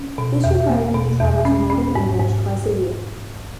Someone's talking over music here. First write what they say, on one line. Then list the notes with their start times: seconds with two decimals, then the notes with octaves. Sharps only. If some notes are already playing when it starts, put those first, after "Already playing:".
This required him to travel to Northern England twice a year.
Already playing: C#4
0.18 B2
0.44 E2
0.69 A#3
0.94 B2
1.20 E2
1.45 C#4
1.70 C#4
1.95 G#2
2.20 G#2